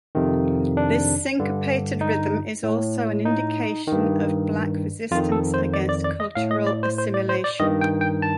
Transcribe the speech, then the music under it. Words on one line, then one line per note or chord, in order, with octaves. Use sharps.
This syncopated rhythm is also an indication of Black resistance against cultural assimilation.
F2 C3 D#3
D4
G2 D3
D#4
A2
D#4
G2 D#3
F2 D#3 F4
A4
C5
D5
D5
D5
D#5
A2 F5
D#5
D5
C5
C5
D5
C5
D5
G2 D#3 D#5
G5
G5
A5